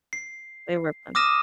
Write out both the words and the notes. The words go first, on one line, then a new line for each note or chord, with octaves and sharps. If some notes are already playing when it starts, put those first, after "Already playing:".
They were fun.
C7
D6 D#6 F6 A#6 D#7 E7